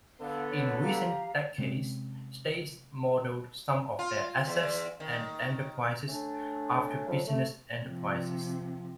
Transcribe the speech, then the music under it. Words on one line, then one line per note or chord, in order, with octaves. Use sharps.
In recent decades, states modeled some of their assets and enterprises after business enterprises.
D3 B3 A4 F5
C#5
G4 F5 A#5
C3 G#3 C4 C#4
F4
E2
D#3
A3 C#4 D4
F2 F#3
A3
C3 F3